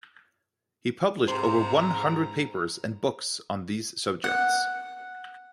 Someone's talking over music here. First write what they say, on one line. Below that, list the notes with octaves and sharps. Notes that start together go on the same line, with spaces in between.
He published over one hundred papers and books on these subjects.
G#2 C3 C5 A#5 B5
F#5